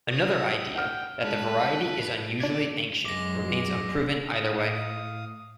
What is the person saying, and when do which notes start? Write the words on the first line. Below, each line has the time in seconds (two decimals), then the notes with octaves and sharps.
Another idea, that the variety is unusually ancient, remains unproven either way.
0.10 F#4 D#6
0.75 F#5 G5 F6
1.23 G#3 B4 A5
2.40 D4 D5 G#6
3.05 F#2 G#3 D6 A#6
4.27 A2 F5 D#6